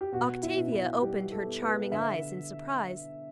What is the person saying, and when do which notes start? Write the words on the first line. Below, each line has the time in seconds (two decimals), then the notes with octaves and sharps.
Octavia opened her charming eyes in surprise.
0.01 G4
0.12 B2 F#4
0.43 E4
0.57 B2
0.72 E4
1.02 G3 G4
1.32 A4
1.46 B3
1.62 B4
1.92 D3 E5